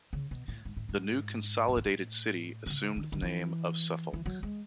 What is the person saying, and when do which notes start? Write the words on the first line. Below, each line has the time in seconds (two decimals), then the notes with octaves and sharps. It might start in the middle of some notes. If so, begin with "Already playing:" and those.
The new consolidated city assumed the name of Suffolk.
0.13 C#3
0.31 B2
0.48 A2
0.65 G#2
0.77 A2
0.89 G#2
1.68 A2
1.77 G#2
1.85 A2
2.66 D#3
2.70 C#3
2.97 D#3
3.12 D#3
3.22 E3
4.13 E3
4.26 F#3
4.43 G#3